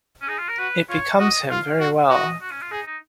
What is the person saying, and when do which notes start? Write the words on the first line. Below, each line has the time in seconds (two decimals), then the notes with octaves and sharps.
It becomes him very well.
0.22 C#4
0.28 D#4 G#4
0.39 F4
0.49 A#4
0.59 F#4 B4
0.89 F4 C#5
1.19 F#4 D#5
1.50 F4 F5
1.80 F#4
2.10 F#4 D#5
2.25 D#5
2.41 F#4
2.51 C#4
2.61 F4
2.71 D#4 G#4
2.86 D#4